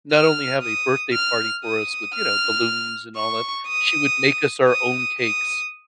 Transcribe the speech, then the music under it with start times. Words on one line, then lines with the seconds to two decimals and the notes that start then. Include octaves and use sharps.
not only have a birthday party for us with, you know, balloons and all that, she would make us our own cakes.
0.12 F6
0.62 D#6
1.13 F6
1.64 D#6
2.14 F6
3.16 C#6
3.67 D#6
4.68 D#6
5.20 D#6